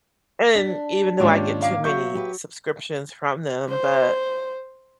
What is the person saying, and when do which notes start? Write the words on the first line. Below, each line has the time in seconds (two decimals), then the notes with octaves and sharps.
And even though I get too many subscriptions from them, but,
0.55 D4 B6
1.20 D#2 G#2 C#4 D4 F4 G4
1.62 A#3 F5
1.84 F#3 E5 C#6 G6
2.15 G4 B4
3.69 C5